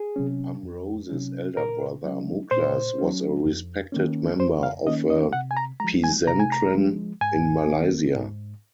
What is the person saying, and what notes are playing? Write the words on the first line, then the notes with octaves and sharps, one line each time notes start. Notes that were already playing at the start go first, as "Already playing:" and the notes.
Amrozis' elder brother Muklas was a respected member of a "pesantren" in Malaysia.
Already playing: G#4
C3 F#3 C#4
F2
C3 F#3 C#4
A#2 A#4
F#3 C#4
A#2 C5
F#3 C#4
F2
D#3 A#3 C#4
F2 C5
F5
D#3 A#3 C#4 D#5
D#5
C3 F#5
G#5
A#5
F3 G#3 A#5
G#5
C3 A#5
G#5
A#5
F3 G#3
G#2 G#5
D#3 A#3
G#2